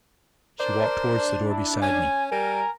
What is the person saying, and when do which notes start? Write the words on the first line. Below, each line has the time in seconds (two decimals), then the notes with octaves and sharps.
She walked towards the door beside me.
0.60 D4 A#4 C5
1.48 E4
1.82 C#4 G#5
2.31 G3 A#4 G#5